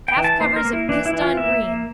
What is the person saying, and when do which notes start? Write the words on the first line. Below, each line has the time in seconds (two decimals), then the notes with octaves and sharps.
Calf covers of pissedon green.
0.08 G5
0.16 E3
0.24 A5
0.41 A#3 C5
0.56 A#4
0.65 A#3
0.73 E4
0.89 E3 D4
1.06 E4
1.13 E3
1.21 F4
1.37 A#3 E5
1.62 A#3